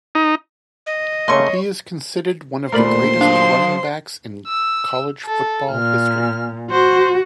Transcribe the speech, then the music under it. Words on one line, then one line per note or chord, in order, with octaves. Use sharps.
He is considered one of the greatest running backs in college football history.
D#4
D#5
C#3 A3 A#3 C#5 C6 C#6
D#2 A#2 A3 A#4 C5 D5 B5 C6
F#3 D4 F5
E6
A4
A#2 F6
F#4 C5